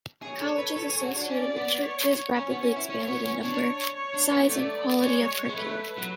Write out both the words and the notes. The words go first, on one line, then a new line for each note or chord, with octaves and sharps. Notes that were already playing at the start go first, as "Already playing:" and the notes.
Colleges associated with churches rapidly expanded in number, size and quality of curriculum.
G#4 C#5
A4
B4
A4
G#4
F#4
D4
C#4 D5
B3
C#5
C#4 C#5
B3
C#4
E4
C#4 C#5
B3
C#4
D4 C#5
C#5
D4
B3
A3 D5
G#3 C#5
G#3
A3 B4
F#3